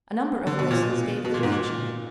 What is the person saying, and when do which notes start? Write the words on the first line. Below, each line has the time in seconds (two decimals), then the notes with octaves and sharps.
A number of voices gave the direction.
0.47 D3
0.59 B2
0.71 A#2
0.82 B2
1.25 B2
1.34 A#2
1.43 G#2
1.52 A#2